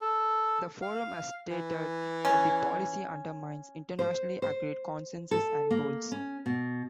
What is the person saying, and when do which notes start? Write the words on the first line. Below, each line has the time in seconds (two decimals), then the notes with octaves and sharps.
The forum has stated that the policy "undermines internationally agreed consensus and goals".
0.01 A4
0.82 F5
1.51 E3
2.25 C#4
3.99 C5
4.42 C5
5.31 A4
5.71 A#3
6.12 C#4
6.46 B2